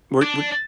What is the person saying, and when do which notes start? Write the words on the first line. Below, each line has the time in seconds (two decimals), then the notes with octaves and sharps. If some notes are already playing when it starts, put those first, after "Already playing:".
Were were
0.23 D4